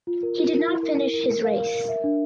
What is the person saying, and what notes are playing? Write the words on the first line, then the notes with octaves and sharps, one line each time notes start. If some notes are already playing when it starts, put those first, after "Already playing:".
He did not finish his race.
F4
A#4
F4
A#4
E4
A#4
A#4
A#4
A#4
F5
A#4
A#4
E5
D4